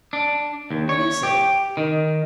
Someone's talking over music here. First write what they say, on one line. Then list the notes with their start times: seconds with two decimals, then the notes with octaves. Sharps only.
"What is it?"
0.13 D4
0.71 D#2
0.89 C#5
1.23 G4
1.77 D#3